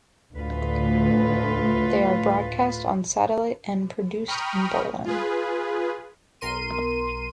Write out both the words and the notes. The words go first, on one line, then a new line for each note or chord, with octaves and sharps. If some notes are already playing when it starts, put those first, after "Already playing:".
They are broadcast on satellite and produced in Berlin.
D2 A2 F4 B4
G5 A#5 B5 C#6 D#6 F6
F4 G#4 B4
B1 A#4 C6 D#7